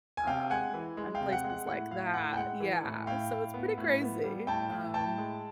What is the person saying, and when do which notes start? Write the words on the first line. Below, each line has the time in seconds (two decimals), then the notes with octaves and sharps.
um, and places like that, yeah, so it's pretty crazy, um
0.17 G#5
0.27 C3 F5 G5
0.50 G#3 F#5 G#5
0.74 E3
0.97 G#3
1.15 F5 G5
1.21 C3
1.32 F#5
1.44 G#3
1.50 F#5
1.67 A2 F#5
1.91 A2 F5
2.14 A2 F#5
2.33 G5
2.37 G#3 F#5
2.60 E3
2.84 A2
3.07 A2 F5 G5
3.31 A2
3.54 B3
3.78 A2
4.01 B3
4.24 G3
4.47 A2 G5 A5
4.71 A2
4.94 A2 G5 A5
5.18 G#3